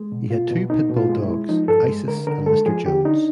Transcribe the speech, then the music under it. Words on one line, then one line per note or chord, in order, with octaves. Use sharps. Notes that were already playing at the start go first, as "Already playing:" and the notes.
He had two pit bull dogs, Isis and Mr. Jones.
Already playing: G#3
B2
B2 F4
B2
B2 D#4
B2
F4
G#3
E4
G#3
F3 D#4
G2 A4
G#3
D3 A#4
D3 A#4
G#3 A4
F3 G#4
D3 G4
D4 D#4